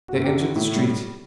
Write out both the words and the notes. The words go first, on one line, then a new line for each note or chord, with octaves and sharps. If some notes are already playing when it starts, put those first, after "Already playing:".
They entered the street.
F#4
F#2
G4
C#3
F#4
A2 E4
G3